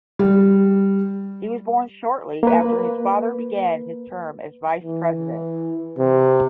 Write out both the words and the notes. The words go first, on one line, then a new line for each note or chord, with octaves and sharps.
He was born shortly after his father began his term as vice president.
G3
A#3 B4
E3
C3